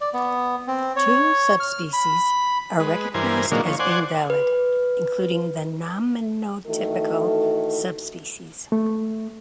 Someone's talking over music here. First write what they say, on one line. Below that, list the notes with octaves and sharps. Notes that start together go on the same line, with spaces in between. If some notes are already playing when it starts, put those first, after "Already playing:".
Two subspecies are recognized as being valid, including the nominotypical subspecies.
D5
B3
C4
C#5
F6
B5
G#3 B4
G2 E3 A#4 C5 G#5
A#2 D3 D#3 F#3 G#3 A#3
F3 C#5
C5 D5 F#5 G#5
B4
D#3 E3 A3 F#4 A4
A3